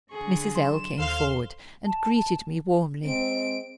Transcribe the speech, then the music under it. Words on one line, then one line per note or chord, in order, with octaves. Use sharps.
Mrs. L. came forward, and greeted me warmly.
D3 G#4 C#6
F#3 C6 E7
D#2 A4 C5 F5 C6
A5
G#3 C4 D7